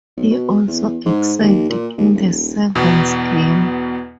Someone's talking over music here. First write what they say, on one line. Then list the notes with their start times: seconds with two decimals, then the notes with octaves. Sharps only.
He also excelled in the Sevens game.
0.17 B1
0.30 B2
0.67 E2
1.06 G#2
1.40 D#2
1.70 A#2
1.98 D#2
2.15 D#1
2.75 E2 B2 B3